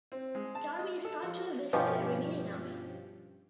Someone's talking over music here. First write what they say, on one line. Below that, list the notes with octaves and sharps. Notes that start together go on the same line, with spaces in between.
Darby is thought to have visited every meeting house.
C4
G#3
A5
D#5
A4
F3
G2 B2 F3 C#4 G4